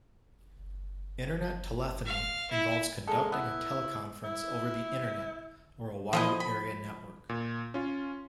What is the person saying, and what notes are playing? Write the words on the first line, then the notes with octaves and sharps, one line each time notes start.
Internet telephony involves conducting a teleconference over the Internet or a Wide Area Network.
F5
E4
G#3 A4 A#4
B3 E4
E4
F3 E4 D#5 D#6
B5
A#2
C#4 F4